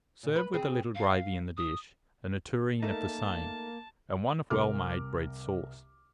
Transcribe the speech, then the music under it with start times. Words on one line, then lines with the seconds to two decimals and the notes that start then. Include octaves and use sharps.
Serve with a little gravy in the dish, and a tureen of the same, and one of well-made bread-sauce.
0.23 A#2
0.36 B4
0.54 C4 G#4
0.95 F5
1.57 D#6
2.83 A3 A#3 D#4 A5
4.50 C2 A#4 D6 F6